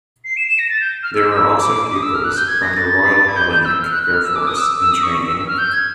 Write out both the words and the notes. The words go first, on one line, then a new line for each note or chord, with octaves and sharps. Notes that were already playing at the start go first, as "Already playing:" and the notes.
There were also pupils from the Royal Hellenic Air Force in training.
C7
E7
E7
A#6
A6
G6
F6
E6
D6
D6
D#6
E6
F6
F#6
G6
G#6
A#6
A6
G#6
G6
G6
E6
F6
F#6
F#6
F6
E6
D6
D#6
E6
E6
D#6
C#6
E6
E6
F6
G6
G#6